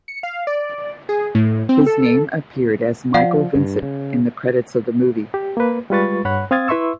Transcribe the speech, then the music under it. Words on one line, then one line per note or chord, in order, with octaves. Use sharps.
His name appeared as Michael Vincent in the credits of the movie.
C#7
F5
D5
G#4
A2
C4
A4
F3 D5 F5 F#5
G2
C#3
G4
A#3 B4
G3 G#3 F4 B4 C#6 A6
G2 C#5 F#5 B5 F#6
C4 F5 D#6 G#6 A6
E4 B4 E5 C6 C#6 E6